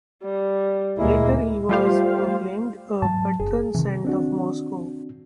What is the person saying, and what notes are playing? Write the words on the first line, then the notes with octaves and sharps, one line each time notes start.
Later he was proclaimed a patron saint of Moscow.
G3
D2 A#2 G#3 A#3 E4
G3 A3 F4 G4 C5 F5
G#2 F#3 A5
F#1 G#4
C3 D#3 E3
C4 D4 F#4